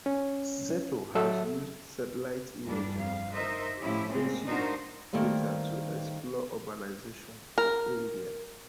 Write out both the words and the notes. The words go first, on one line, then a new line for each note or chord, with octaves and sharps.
Seto has used satellite imagery and census data to explore urbanisation in India.
C#4
F#3 A4 E5
E2 G2 G3 D4
F2 F5
D#4 A#4 C5 D#5 E5
A2 F3 C#4 E4 G4
G#3 A#3 C4 C#4
D4 D#4 F4 F#4 A#4 C5
D#3 G3 A3 A#3 C4
A#4